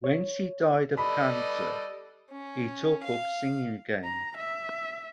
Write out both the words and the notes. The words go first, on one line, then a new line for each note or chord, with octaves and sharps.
When she died of cancer, he took up singing again.
C#5
G3 A4 B4 D5 D#5 B5
C#4
F5
A#5
E5